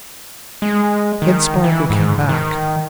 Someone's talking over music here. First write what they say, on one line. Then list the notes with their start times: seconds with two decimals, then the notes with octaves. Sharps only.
Then Spargo came back.
0.62 G#3
1.22 D#3
1.64 E3
1.90 G#2
2.29 D#3